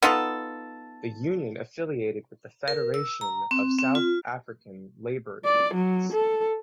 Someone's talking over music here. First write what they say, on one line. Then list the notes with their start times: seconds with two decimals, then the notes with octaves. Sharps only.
The union affiliated with the Federation of South African Labour Unions.
0.02 B3 D#4 F4 A4
2.68 A#4
2.94 E6
3.21 A#5
3.51 C4
3.79 C4
3.95 F4
5.45 D5
5.74 F#3
6.12 A4